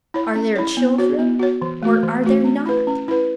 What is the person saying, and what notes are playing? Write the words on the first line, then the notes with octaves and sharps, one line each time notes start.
Are there children or are there not?
E4 C#5
C#4
E4 C#5
B3
F#4 C#5
B3
F#4 C#5
E3
A3 F#4
E3
A3 F#4
C#4
E4 B4
C#4
E4 B4